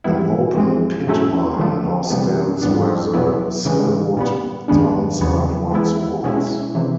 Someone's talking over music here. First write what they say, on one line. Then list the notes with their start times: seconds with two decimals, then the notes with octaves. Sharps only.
An open pit mine now stands where the Sellwood townsite once was.
0.04 G#2 E3 G3 B3 E4
0.55 E3 G#3 C4
1.07 A2 F#3 A3 C#4 E4
1.59 D3 F3 A3
2.10 C3 E3 G3 B3
2.62 G#2 E3 G3 B3 D4
3.14 B2 F#3 B3 E4
3.65 C#3 E3 G#3
4.17 A#2 G3 B3
4.68 F#2 D#3 G#3 B3 D4
5.20 E2 C#3 F#3 B3
5.71 E3 G#3 B3 E4
6.23 B2 G#3 C#4 E4
6.75 C3 E3